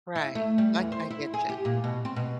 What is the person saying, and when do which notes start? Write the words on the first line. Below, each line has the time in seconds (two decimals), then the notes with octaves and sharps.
Right, like, I gotcha.
0.16 E4
0.35 A3
0.58 G3
0.79 E2
0.92 C5
1.11 E4
1.34 G#4
1.49 G4
1.65 A#2
1.84 B2
2.05 C4
2.16 B2